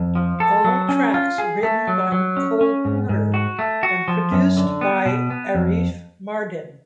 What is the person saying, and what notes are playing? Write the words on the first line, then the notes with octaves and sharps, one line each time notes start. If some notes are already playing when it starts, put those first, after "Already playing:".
All tracks written by Cole Porter and produced by Arif Mardin.
Already playing: F2
F3
A4
F#3
C#4
F4
G#4
A3
F#3
F#3
C#4
C#4
G#2
G#2
F#4
A3
F#4
F3
F#2
D3
B3
B2
B3
F2